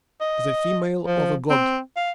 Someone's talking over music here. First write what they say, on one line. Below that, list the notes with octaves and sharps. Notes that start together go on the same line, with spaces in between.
The female of a god.
D#5
F3
C4
F5